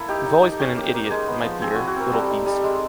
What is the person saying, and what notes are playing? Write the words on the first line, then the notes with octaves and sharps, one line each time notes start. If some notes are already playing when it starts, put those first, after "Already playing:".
You’ve always been an idiot, my dear, little beast.
Already playing: A#3 E4 A4
D#4 G4
D#4
D#4
C#4 G4
A#3
A#3
G#3 G#4
B3
F3
C4 G#4
E4 F#4
F#4
C4 A#4
G3 A4
D#4
G3
G#3